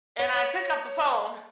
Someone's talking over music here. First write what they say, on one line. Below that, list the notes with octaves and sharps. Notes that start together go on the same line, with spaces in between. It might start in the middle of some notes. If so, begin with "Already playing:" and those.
and I pick up the phone.
C#5